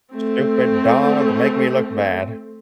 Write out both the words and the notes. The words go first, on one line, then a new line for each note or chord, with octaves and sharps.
"Stupid dog, make me look bad."
A3 C4